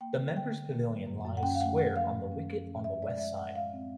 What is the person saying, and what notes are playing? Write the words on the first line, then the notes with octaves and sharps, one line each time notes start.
The members pavilion lies square of the wicket on the west side.
A#3 G5
D3
D3 G5
D3
A#3
F#3
F#2
F#2
F#5
C#4 G5
F5
A3 F#5
F3 F#5
F3 F5
F3
C#4
F3
C#4
F3 E5
G#3 D5
F3 E5
A2 F#5
G#3 F5
C4